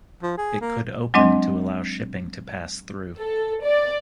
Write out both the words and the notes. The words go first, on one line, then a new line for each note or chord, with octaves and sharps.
It could open to allow shipping to pass through.
F3
G#4
A#3
F#3 G#3 C4 D4 D#5
A4
D5